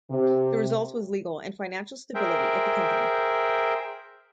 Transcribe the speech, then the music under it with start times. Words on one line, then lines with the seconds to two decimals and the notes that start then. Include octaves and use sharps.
The result was legal and financial stability at the company.
0.10 C3
2.15 G#4 A#4 C5 E5 G5